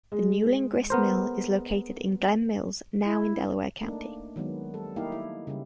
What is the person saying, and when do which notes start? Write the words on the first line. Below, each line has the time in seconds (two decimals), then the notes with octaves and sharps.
The Newlin Grist Mill is located in Glen Mills, now in Delaware County.
0.12 G#3
0.90 B3 A#4 C5
3.04 E4
3.81 A3 A#3 D4 D#4
4.36 D#3 F#3 G#3 B3
4.74 G3 A4
4.96 A#3 D#4 E4 G4 F5
5.12 E4
5.47 C#3 G3